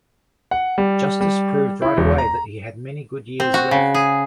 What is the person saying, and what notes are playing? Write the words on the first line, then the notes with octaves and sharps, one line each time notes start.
Justice proved right away that he had many good years left.
F#5
G3
G3
E4
E1
A#5
C4
F#4
C#3
G#4